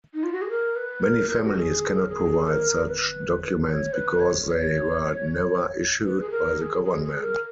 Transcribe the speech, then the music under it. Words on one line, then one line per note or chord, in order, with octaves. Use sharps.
Many families cannot provide such documents because they were never issued by the government.
D#4
F4
F#4
G#4
A#4
B4
A#4
A#4
G#4
F#4
A#4
G#4
A#4
G#4
A#4
B4
C#5
B4
C#5
B4
G#4
A#4
A#4
G#4
G#4
G#4
A#4